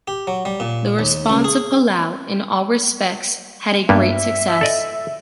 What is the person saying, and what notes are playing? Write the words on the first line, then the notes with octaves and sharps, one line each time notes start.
The response of Palau in all respects had a great success.
G4
F#3
G3
A#2
D#2
C#2
G#4
G2 A#3 B3 E5
A4 D5 D#5